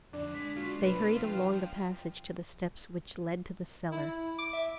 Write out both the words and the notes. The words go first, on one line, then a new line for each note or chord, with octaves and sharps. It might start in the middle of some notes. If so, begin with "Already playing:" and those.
They hurried along the passage to the steps which led to the cellar.
F2 D3 D4
G#3 B6
G#3 A#3 F4 F#4
B2 A3 B4
F3 G5
E4
D6
E5